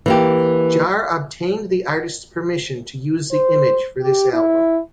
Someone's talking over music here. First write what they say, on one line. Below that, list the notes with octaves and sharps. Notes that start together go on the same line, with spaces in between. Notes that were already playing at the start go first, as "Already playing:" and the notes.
Jarre obtained the artist's permission to use the image for this album.
E3 A#3 G4
C5
G4
E4